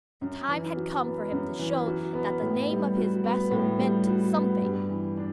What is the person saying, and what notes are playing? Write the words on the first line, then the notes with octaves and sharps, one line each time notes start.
The time had come for him to show that the name of his vessel meant something.
F#2
E3
F#4
B3
F#2
E3
F#4
B3
A2
G3
F#4
B3
A2
G3
F#4
B3
G2
E3
D4